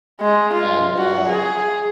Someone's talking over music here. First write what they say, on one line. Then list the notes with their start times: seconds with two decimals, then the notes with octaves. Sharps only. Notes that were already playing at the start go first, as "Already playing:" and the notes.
and, uh
0.21 G#3
0.53 F4
0.98 F#4
1.28 G#4